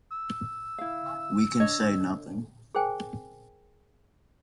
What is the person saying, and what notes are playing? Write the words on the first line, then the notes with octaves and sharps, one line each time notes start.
We can say nothing.
E6
E4 F5
D4 C#5 D#5
G#4 A#4 C5 G5 G#5